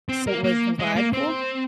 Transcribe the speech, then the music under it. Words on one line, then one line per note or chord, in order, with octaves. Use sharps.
So was the vibe cool?
C4
A#3
A#3
G#3
A#3
C4